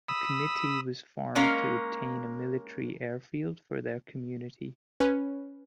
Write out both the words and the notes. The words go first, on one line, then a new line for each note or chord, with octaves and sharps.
A committee was formed to obtain a military airfield for their community.
B5 D#6 E6
G#3 A#3 C#4 A#4 F5
C#4 B4